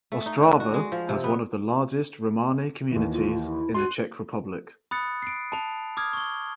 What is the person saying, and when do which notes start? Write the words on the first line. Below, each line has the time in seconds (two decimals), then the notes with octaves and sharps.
Ostrava has one of the largest Romani communities in the Czech Republic.
0.12 A3
0.26 D#4
0.43 D3
0.60 F#4
0.74 G#3
0.92 F3
1.09 C3
1.24 B3
2.91 D#2 E3
3.12 F4
3.46 E4
3.74 F#4 C6 F#6 D#7
4.91 B5 D#6 F#6 A6 C#7
5.22 C7 D7
5.52 A5 F7
5.97 D6 D#6 F6 G#6
6.13 C#6 G7